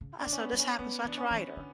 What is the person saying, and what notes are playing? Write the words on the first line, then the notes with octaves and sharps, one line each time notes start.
I so this happened, so I tried her.
C#3
D4
D3
C#4
B3
F#3
C#4
F#3 B3
E3
D4
C#4
E3
D3